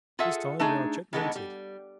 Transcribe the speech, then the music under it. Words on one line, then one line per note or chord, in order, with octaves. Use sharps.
"This time we are checkmated."
F4 G#4 A4 E5 F#5
A3 D4 D#4 G#4
D#3 E3 G#3 B3 D4 A4
G3